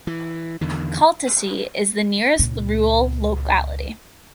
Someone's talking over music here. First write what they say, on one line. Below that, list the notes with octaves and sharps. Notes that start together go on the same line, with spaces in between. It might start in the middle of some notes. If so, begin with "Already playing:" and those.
Kaltasy is the nearest rural locality.
E3
E2 D3 D#3
C#2 A#2